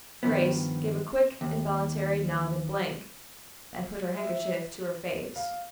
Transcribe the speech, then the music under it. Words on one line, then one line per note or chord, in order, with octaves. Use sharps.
Grace gave a quick, involuntary nod and blink, and put her handkerchief to her face.
G2 D#3 F3 B3
D#2
E5
F5